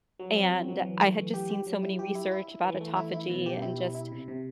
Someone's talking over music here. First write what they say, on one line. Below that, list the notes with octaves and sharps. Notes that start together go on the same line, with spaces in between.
And, I had just seen so many research about autophagy, and just
F#3
C4
F#3
F#3
E3
A3
E3
G4
G4
F#3
E4
G4
E4
E4
E4
E3
A3
E4
E4
B2
G4
E4
E4
E4
C3
C3